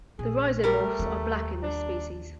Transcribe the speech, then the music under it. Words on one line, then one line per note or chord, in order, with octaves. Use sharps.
The rhizomorphs are black in this species.
A#1 G#4
G3 A3 A#4
D#2 C#4
D4